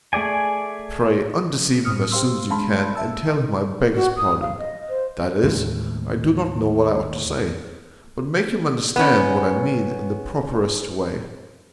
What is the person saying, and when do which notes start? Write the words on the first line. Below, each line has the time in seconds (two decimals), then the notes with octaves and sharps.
Pray undeceive him as soon as you can, and tell him I beg his pardon--that is--I do not know what I ought to say--but make him understand what I mean, in the properest way.
0.13 A3 G#4 D5 G#5
1.84 A2 C4 D#6 F6 C#7
2.11 G4 C5 F5 C6 E6
2.50 G#3 D4 F5 A5 B5 C6
2.95 E5 A5 E6
3.95 F#4
4.17 D#6
4.41 F5
4.59 D#5
4.89 C5
5.43 D#2 A2 G#3 A3
8.96 B3 C#4